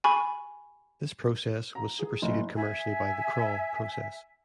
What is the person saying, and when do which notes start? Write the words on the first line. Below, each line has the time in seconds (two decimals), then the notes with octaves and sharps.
This process was superseded commercially by the Kroll process.
0.04 G#5 B5 C#6
1.75 A#5
1.99 G#4
2.22 F#1
2.56 E5 G#5